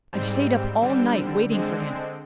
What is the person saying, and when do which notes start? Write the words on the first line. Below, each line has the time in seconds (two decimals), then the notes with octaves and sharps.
I've sate up all night waiting for him.
0.13 G#2 G3 C4
0.81 D3 G3 C4
1.49 D3 G#3 C4